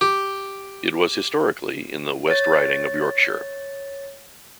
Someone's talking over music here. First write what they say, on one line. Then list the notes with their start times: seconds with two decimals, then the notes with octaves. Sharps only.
It was historically in the West Riding of Yorkshire.
0.01 G4
2.28 C#5 A6